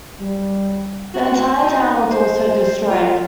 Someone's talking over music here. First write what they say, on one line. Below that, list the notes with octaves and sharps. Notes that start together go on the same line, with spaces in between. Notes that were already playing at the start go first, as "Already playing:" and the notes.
The entire town was also destroyed.
G3
F#4
D#4
C5
F4